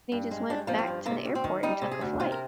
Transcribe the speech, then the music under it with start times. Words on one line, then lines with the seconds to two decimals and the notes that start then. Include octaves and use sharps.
he just went back to the airport and took a flight,
0.12 G2
0.31 G#3
0.50 G2 D4
0.67 F3 A#3
0.79 C4
0.87 G2
1.06 C3 A#3
1.25 D2
1.35 C4
1.44 D#3
1.63 G3 D#4
1.81 C3
1.91 G#4
2.01 D2
2.20 C3 F4
2.32 A#4